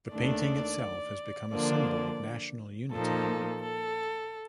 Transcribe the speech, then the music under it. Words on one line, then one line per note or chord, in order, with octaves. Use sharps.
The painting itself has become a symbol of national unity.
D#2 D#3 A3 D4 D5
D3 F3 A#3 D4 D5
A#2 F3 A#3 D#4 A4
A4